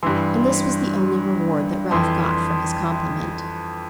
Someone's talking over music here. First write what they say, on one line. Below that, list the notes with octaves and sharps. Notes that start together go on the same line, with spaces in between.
And this was the only reward that Ralph got for his compliment.
G2 E3 C6
F2 E3 C6